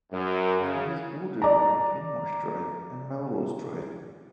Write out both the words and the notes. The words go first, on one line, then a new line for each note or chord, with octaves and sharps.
It is bordered by Hindmarsh Drive and Melrose Drive.
F#2
C#3
D5 A#5